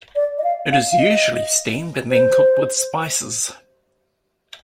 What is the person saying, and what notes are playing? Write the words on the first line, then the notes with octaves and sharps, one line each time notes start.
It is usually steamed and then cooked with spices.
D5
D#5
F5
F5
F5
D#5
C5